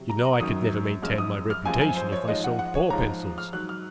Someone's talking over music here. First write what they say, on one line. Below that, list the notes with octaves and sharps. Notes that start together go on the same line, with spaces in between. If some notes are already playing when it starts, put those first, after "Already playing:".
You know I could never maintain my reputation if I sold poor pencils.
Already playing: C3 F#3
A#5
A#5
F#2 D#3 F#3 D#6
F#2 F3 G#3 F6
D#6
F6
F#2 F3 G#3 G#5
G#5
C5
C#5
G#2 F3 G#3 D#5
F#5
F#5
C#5
G#2 F3 G#3 A#5
F6
G#2 F#3 F#6
F6